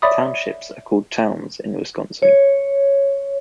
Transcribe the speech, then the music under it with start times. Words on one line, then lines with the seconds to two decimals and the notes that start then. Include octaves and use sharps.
Townships are called "towns" in Wisconsin.
0.02 C#5 D5 E5 B5 D6 D#6
2.22 C#5